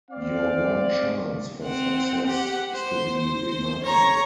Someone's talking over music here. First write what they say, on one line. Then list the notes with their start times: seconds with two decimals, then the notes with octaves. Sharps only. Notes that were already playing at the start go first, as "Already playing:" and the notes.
Your one chance for success is to be remarkable.
0.10 C4 D5 F5
1.63 C4 F#5
2.27 G4 F#5
2.73 C5
3.19 C5
3.84 C#5 A#5